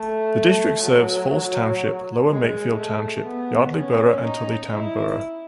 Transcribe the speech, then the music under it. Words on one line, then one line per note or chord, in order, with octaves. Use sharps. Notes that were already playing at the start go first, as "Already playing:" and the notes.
The district serves Falls Township, Lower Makefield Township, Yardley Borough, and Tullytown Borough.
Already playing: A3
F#3
G#3
A3
B3
C#4
D#4
E4